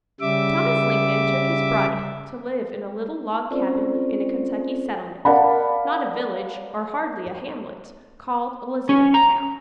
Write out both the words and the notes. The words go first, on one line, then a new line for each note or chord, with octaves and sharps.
Thomas Lincoln took his bride to live in a little log cabin in a Kentucky settlement--not a village or hardly a hamlet--called Elizabethtown.
C#3 G3 E5 D6
C4 C#4 F4 A4 C5 D5
A#4 D5 F5 F#5 A5 B5
C#4
A#5